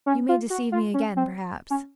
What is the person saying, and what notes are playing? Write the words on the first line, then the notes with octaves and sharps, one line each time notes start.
You may deceive me again, perhaps.
C#4
F4
F#4
F4
C#4
C4
C#4